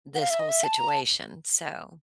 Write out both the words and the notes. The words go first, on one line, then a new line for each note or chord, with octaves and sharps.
this whole situation, so
F#5
F5
E5
D#5
E5
A5
A#5
A5